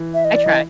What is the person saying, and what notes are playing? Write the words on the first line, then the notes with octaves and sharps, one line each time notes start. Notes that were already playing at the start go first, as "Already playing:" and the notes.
I try.
Already playing: E3
E5
D#5
D5
E3 D#5